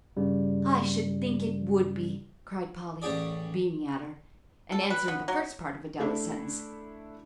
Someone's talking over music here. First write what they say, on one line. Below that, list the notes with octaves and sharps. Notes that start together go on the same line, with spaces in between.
"I should think it would be," cried Polly, beaming at her, and answering the first part of Adela's sentence.
G2 C#3 G3
A1 C#4 G4 G#4 D5
A4
B4
B3
F#3
A3 D4 E4